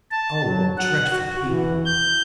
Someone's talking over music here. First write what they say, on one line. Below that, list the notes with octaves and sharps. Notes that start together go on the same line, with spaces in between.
Oh, what dreadful people!
A5
F#3
F#5
F#4
E3
G6